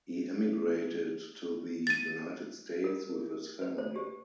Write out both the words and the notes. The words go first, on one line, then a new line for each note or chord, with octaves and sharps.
He immigrated to the United States with his family.
A6 D#7
A#4
B4
C5
G4